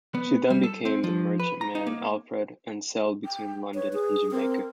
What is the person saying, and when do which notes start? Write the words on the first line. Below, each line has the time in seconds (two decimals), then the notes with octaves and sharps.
She then became the merchantman "Alfred", and sailed between London and Jamaica.
0.15 B3
0.50 G3
0.63 A4
0.85 C4
1.04 F3
1.40 B4
1.61 A#5
1.75 D#4
1.87 A#3
3.25 G5
3.74 B4 C#5
3.93 G#4
4.31 C4 A#4